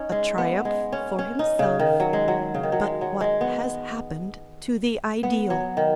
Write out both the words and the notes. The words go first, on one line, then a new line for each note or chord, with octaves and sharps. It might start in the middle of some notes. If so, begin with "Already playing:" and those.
A triumph for himself, but what has happened to the ideal?
Already playing: C#4 D#4
G#3
B3
G#3
C#4
C#4
D#4
C#3
D#3
F#3
G#3
F#3
C#3
D#3
F#3
G#3
F#3
G#3
B3
B3
F#3
D#3